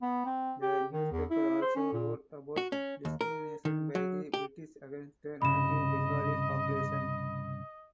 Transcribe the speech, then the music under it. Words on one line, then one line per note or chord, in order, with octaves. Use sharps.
The newspaper also wrote about discrimination by the British against the native Bengali population.
B3
C4
G4
D#3
E2
E4
C5
C#4
A#2
F#4
C#4
D#2
A#4
D#3
F#3
G4
C2 G2 C#3 D#5 B5 E7